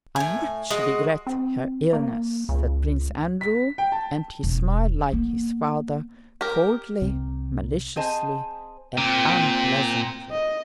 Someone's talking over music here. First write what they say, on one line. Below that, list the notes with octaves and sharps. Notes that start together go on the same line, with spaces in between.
"I much regret her illness," said Prince Andrew; and he smiled like his father, coldly, maliciously, and unpleasantly.
A2 G#5
G#3 F#4 D#5
C4
A#3
C#2
B6
G5
A5
E1
A#3 B3
G4 A#4
C2 C3 C4
C4 G#4 C5 D#5 G#5 A5
A#2 C4 G5
D#5